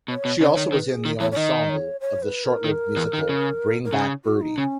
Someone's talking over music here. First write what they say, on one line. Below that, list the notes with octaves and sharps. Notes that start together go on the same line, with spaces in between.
She also was in the ensemble of the short-lived musical Bring Back Birdie.
B2 C#5
B2
C#3 C#5
D#3
D#3 B4
G#4
D#3
E2 E3 C#5
C#5
D#3 D#5
C#5
C#5
B4
A#4
D#3
E2 E3
D#3
C#3
A#4
C#3 G#4
F#4
D#4
C#3 C#4